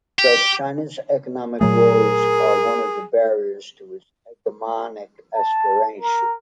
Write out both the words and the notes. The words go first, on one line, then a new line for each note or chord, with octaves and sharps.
Thus, China's economic woes are one of the barriers to its hegemonic aspirations.
G4
A#2 F#3 A3 G#4 A#4
A5
A#4